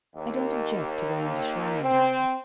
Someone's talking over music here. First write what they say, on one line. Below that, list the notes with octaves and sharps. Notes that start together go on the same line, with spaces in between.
I don't object to going to Schlangenbad.
D#2
C4